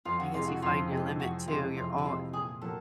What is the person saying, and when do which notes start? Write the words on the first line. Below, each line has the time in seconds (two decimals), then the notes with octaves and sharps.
I guess you find your limit, too, you're all
0.05 F2 F4
0.20 F#4
0.34 C3 E3 G#3 F4
0.48 F#4
0.62 F2 F4
0.91 C3 E3 G#3
1.20 F2 F#4
1.48 C3 E3 G#3 F4
1.76 F2 F4
1.98 E4
2.05 C3 E3 G#3 F4
2.33 A#2 G#4
2.62 F#3 A#3 A4